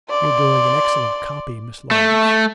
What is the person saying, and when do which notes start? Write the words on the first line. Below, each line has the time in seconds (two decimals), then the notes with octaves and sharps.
'You're doing an excellent copy, Miss Laurence.'
0.10 D5 C6
1.91 A3